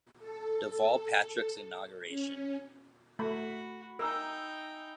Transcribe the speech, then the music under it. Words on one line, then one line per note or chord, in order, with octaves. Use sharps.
Deval Patrick's inauguration.
A4
C#4
A3 F#4 B5
D#4 A#4 E5 G5 G#5 E6